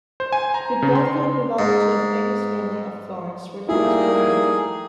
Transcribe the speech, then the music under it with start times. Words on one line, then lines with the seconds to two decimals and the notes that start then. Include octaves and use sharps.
Ridolfi belonged to a famous family of Florence, where he was born.
0.20 C5
0.32 G#5
0.54 A#5
0.82 C#3
0.95 C6
1.59 G#2
3.69 G3 A3 A#3 D#4 E4 G#4